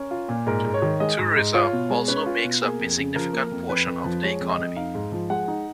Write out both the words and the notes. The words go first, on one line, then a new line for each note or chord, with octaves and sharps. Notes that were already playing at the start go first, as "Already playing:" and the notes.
Tourism also makes up a significant portion of the economy.
Already playing: C#4 A#4
F4
A#2
G#2 A#4
G#2
C#5
D#3
G#3 D#5
G#2
G#2
F4 C#5
B2
G#3
C#4 B4
F4
B2
A#3 G#4
F2
C#3
F3 A#4
A#3
A#4
F2
F2 B4
F2
F3
G#3 C#5
F2
D#5
F2
D#4 F5
G#2
F3
G#3 F#5
D#4